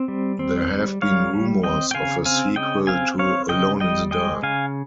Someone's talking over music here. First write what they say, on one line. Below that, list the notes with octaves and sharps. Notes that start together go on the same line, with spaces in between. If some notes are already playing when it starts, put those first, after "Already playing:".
There have been rumors of a sequel to "Alone in the Dark".
Already playing: C4
G3
C4
G3
G3 C#5 F5
G3
C4 D#5 G5
G5
C#3 F5 G#5
C4 F5 G#5
C#3 D#5 G5
C4 F5 G#5
C4 C#5 F5
C#3 D#5 G5
G3 D#5 G5
G#3 D#5 G5
C#3 F5 G#5